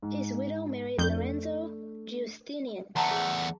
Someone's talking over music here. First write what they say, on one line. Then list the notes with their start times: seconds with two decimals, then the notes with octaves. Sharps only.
His widow married Lorenzo Giustinian.
0.02 G#2
0.99 F2 A3 D4 G6
2.96 E2 A3 F#5 A5 A#5 C6
3.11 G#4